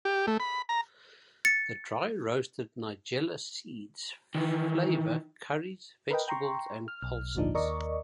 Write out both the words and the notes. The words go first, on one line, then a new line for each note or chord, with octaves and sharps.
The dry-roasted nigella seeds flavor curries, vegetables and pulses.
G4
A3
B5
A#5
A6 C#7
D#3 E3
A#4 B4 D#5 G5
G5 A#5 C6 C#6
F6
B1 F6
G#1 D2 A#2 F3 D4 D#4
D#2 A#4 D5 D#5 C#6